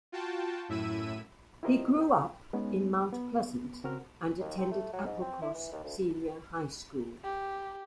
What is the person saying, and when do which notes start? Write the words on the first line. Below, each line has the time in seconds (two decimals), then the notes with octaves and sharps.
He grew up in Mount Pleasant and attended Applecross Senior High School.
0.12 F4 F#4 G5 A5
0.69 F#2 A2 E4 E5 E6 D#7
1.63 E4 F4 G4 A#4 C5 D#5
2.01 G5
2.53 G#3 B3 C#4 D#4
3.13 B3
3.84 C#3 C4 F#4 A#4 F6
4.40 D#2
4.58 C4
4.71 A3
4.93 F#3
5.06 G#2
5.21 C4
5.42 E4
5.55 E3
5.72 D#2
5.84 D2
7.24 G4